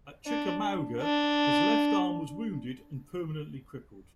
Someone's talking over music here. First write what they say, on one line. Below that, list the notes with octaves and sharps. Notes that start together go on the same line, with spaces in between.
At Chickamauga, his left arm was wounded and permanently crippled.
D4
D4